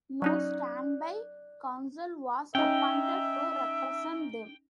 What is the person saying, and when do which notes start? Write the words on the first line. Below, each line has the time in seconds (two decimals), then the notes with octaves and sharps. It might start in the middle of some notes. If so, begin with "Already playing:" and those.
No standby counsel was appointed to represent them.
0.22 F#3 C#4 D#4 D5 F#6
2.55 C#4 D#4 E5 G5